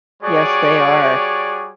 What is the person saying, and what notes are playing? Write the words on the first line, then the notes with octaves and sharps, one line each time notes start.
Yes, they are.
G3 F#4 G#4 C#5 D5 D6